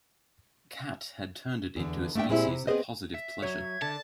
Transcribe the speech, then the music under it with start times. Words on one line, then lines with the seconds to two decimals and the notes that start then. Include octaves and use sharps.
Cat had turned it into a species of positive pleasure.
1.76 E2 D3
2.15 A3 A#3 D4 E5 G5
2.29 A#2 G#3 C4 E4 G4
2.48 C3
2.67 B3 C4 G#4 C5 D#5
3.14 E5
3.42 F#3 C#5 G#6
3.82 D3 A5